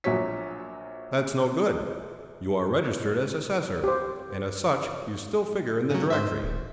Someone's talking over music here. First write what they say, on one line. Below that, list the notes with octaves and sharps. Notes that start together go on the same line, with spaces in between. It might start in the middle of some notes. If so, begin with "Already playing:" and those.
"That's no good; you are registered as assessor, and as such you still figure in the directory."
A#1 A#2 F#3 F#4 C#5 B6
G4 C5
G#2 C#3 F#3
C5 E5
D1